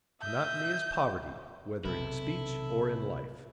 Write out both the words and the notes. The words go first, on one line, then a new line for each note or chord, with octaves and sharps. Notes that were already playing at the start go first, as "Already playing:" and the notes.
Monotony is poverty, whether in speech or in life.
D#5 E5 G6
B1 C3 E4 A4